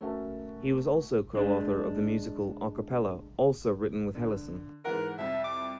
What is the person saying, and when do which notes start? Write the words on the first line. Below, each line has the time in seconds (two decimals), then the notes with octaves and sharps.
He was also co-author of the musical "A Cappella," also written with Hellesen.
0.01 A3 C#4 F#4 A#4 E5 A5
1.35 G#3 D4
4.15 D3
4.85 G#2 E3 A#4 F#5
5.18 C2 F2 E5
5.44 D6